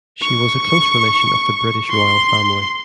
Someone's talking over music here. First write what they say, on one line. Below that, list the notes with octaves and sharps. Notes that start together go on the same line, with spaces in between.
She was a close relation of the British Royal Family.
C#6
C6